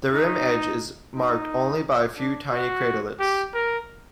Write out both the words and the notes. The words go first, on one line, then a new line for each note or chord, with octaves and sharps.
The rim edge is marked only by a few tiny craterlets.
D#4
D#4
D4
F#4
G4
A#4